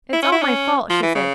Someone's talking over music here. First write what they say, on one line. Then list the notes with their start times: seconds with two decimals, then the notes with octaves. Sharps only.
'It's all my fault,' she said.
0.13 E4
0.23 C#4
0.32 E4
0.42 C#4
0.90 F3
1.03 E3
1.15 C#3